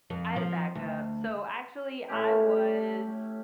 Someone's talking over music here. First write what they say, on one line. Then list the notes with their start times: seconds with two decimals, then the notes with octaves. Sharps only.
I had a backup. So actually, I was
0.10 F2
0.36 F3
0.75 D2
2.08 A2 A3 C#4 G4